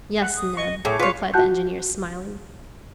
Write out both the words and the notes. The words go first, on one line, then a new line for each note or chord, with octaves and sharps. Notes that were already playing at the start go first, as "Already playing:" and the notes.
"Yes, Neb," replied the engineer, smiling.
F#5
D#6
D#5 C#6
A2 G#4 C#5 D6
F4 B4 C#5 F5
F4 F#4 F#5 A5 F#6 G6